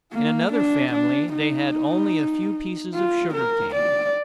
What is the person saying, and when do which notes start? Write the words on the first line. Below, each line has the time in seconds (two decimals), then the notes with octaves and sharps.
In another family they had only a few pieces of sugarcane.
0.12 A#3
0.53 D4
0.92 D4
1.33 D#4
2.94 F4
3.34 A#4
3.74 D5